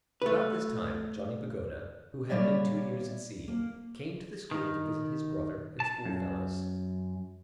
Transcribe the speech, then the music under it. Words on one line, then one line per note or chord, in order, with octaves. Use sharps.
About this time Johnny Pagoda, who had been two years at sea, came to the school to visit his brother and schoolfellows.
A3 B4
A#2 G3 C#5 D5 E5
A#3
D#3
A5
F#2